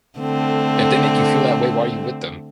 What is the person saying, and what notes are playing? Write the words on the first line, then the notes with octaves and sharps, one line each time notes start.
If they make you feel that way, why are you with them?
D3 A3 C4